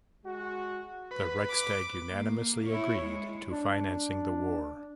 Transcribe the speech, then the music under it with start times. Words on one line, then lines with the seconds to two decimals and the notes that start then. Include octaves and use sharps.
The Reichstag unanimously agreed to financing the war.
0.25 G#3 F#4
1.11 B4
1.49 D6
2.11 A#3
2.68 E4 C#5
3.03 G#3
3.51 D4